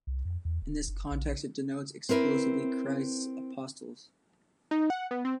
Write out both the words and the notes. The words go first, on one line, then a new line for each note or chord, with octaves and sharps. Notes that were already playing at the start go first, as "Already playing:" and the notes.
In this context it denotes exclusively Christ's apostles.
C2
F2
E2
D1
F#1
A#1
C4 E4 A#4 B4
D#4
F#5
B3
C4